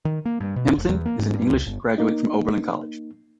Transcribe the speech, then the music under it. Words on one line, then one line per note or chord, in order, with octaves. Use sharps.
Hamilton is an English graduate from Oberlin College.
D#3
A#3
G2
B2
F1
E2
A#3
G#2
G2
C#2
G1
A#3 D#4